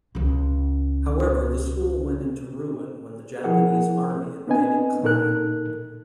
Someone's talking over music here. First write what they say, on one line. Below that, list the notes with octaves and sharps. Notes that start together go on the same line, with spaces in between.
However, the school went into ruin when the Japanese army invaded Klang.
C#2 C#3
F3 E4 G#4 A#4 F#5
B3 C4 D4 B4 D#5 G#5
A#2 D#4 A4 A#4 F#6